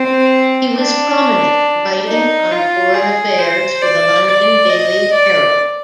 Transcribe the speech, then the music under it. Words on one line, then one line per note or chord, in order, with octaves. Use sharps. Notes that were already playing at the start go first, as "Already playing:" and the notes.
He was prominent writing on foreign affairs for the London "Daily Herald".
Already playing: C4
D4
D#4
F4
G#4
C5
D5
D5
D#5
D5